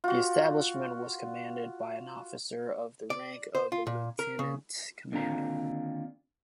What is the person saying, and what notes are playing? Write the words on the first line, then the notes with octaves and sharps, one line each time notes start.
The establishment was commanded by an officer of the rank of Lieutenant Commander.
F4 F#4
D5
C5
F4
A#2
A#4
C#3
D#2 D3 C4 F4 A#5